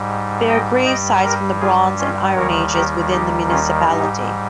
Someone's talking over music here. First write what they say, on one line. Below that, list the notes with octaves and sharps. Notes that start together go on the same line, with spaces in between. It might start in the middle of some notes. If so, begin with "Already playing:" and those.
There are grave sites from the Bronze and Iron Ages within the municipality.
Already playing: G#2 G3
D#5 G5
G2 G3 D#5 G5
G4 A#4
F4 G#4
C#4 F4
D#2 D#3 G3 A#4 C#5
G4 A#4
D#4 G4
C#4 F4
G#2 G3 D#4 G4